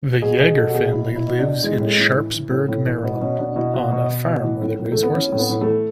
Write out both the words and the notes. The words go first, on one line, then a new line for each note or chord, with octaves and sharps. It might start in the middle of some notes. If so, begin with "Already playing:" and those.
The Yeager family lives in Sharpsburg, Maryland on a farm where they raise horses.
B2 G#4
B2 G#4
B2 A4
F#4
B2 G#4
B2 E4
B2
E4
B2
D4
B2
E3 G#3
A2
G#3
A2
E3
E3
A2
A2
E3
B2 B3
B2 C#4
B2 D4
B2 E4
B2 F#4
B2
B2
B2
E3
A2
A2
E3 A3
B3
E3 C#4
A2
B3
A2
A3
E3